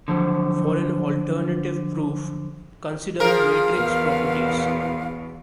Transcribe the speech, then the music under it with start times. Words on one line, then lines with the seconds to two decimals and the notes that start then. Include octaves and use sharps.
For an alternative proof, consider matrix properties.
0.08 D3 F3 F#3
3.20 F3 G#4 A#4 F5
3.76 E2 B2 B4